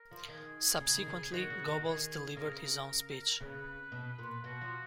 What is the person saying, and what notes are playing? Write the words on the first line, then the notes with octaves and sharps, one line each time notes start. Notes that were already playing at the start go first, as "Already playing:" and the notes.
Subsequently, Goebbels delivered his own speech.
Already playing: A#4
F3
D#3 G#4
C#3 G#4
D#3
C#3
D#3 F#4
C#3
D#3
D#3 G#4
C#3 A#4
C#3 B4
B2
A#2
B2 F#4
F3